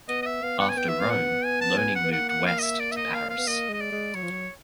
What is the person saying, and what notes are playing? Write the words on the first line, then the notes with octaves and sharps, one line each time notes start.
After Rome, learning moved west to Paris.
B3 D#5
D#5
E5
B3 F5
F#5
G#5
B3 G5
E5
F5
F#5
G#5
A5
G#5
F#5
B3
A#3 F#5
F#5
F5
D#5
E5
D5
E5
D#5
F5
F5
B3
A#3 D#5
G#3 D#5
D5
G#3
F#3 C#5
F3
F#3